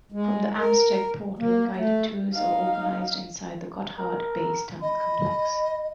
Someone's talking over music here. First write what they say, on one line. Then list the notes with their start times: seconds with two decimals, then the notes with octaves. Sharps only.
From the Amsteg portal, guided tours are organised inside the Gotthard Base Tunnel complex.
0.12 G#3
0.58 A#4
1.39 A#3
1.76 A3
2.33 D#4 F5
3.99 A#4
4.82 D#5 B5